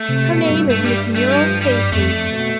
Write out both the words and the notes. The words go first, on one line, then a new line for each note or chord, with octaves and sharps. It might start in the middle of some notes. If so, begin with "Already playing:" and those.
Her name is Miss Muriel Stacy.
Already playing: A3
C3
B2
G2
G2 A3
G3
A3
F3
G3
F2 A3
B2